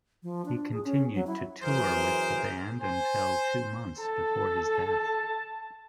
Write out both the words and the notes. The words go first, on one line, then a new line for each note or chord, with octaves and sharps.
He continued to tour with the band until two months before his death.
F3
D4
G#4
C#4
F#3
E4
F#2 E3 G#4 A#4 C5
C5 G#5
A4 A5